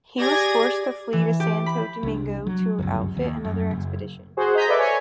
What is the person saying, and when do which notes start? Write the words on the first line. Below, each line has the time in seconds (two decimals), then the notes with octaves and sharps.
He was forced to flee to Santo Domingo to outfit another expedition.
0.19 G4 G#4 D5 G#6 A#6
1.13 E3
1.40 G4
1.66 B5
2.03 C2 D4
2.46 F#3
2.79 G1 C#2 F#2
3.17 D#2
3.45 F#2
3.71 F#1
4.37 F#4 G#4 C5
4.55 D#5 G#5 A#5 G6 B6
4.68 A4 B4 D5 E5 D6
4.79 C#5 G#5